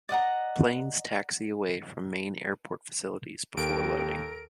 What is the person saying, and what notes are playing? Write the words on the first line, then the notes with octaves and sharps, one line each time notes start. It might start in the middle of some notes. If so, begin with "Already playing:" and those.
Planes taxi away from main airport facilities before loading.
D5 D#5 F#5 A#5
D#2 G4 A4 A#4 D7